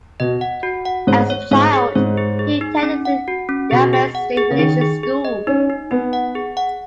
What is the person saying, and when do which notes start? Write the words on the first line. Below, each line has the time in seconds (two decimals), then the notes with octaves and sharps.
As a child, he attended the Yavetz State Religious School.
0.20 B2 D#5
0.41 F#5
0.63 F#4
0.85 F#5
1.07 G#2 C#5
1.30 C#5
1.51 G#2 C#5
1.73 G#4
1.95 G#2 C#5
2.17 G#4
2.39 G#4
2.61 D#4
2.83 C#4
3.05 F#5
3.28 F#4
3.49 C#4
3.71 B2 G#4
3.93 G#4
4.15 F#5
4.37 G#4
4.51 C#3
4.59 D#3 G#4
4.81 G#4
5.03 G#4
5.25 D#5
5.47 C#4 D#4
5.70 D#4
5.91 B3 D#4
6.13 F#5
6.35 G#4
6.57 F#5